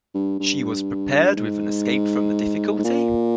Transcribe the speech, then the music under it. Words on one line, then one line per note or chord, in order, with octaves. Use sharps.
She was prepared with an escape from the difficulty?
G2
G2
G#2
G#2
A#2